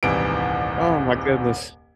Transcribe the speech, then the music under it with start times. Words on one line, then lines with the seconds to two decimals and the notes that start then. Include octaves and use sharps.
Oh my goodness.
0.03 D#1 C2 G#2 E3 D7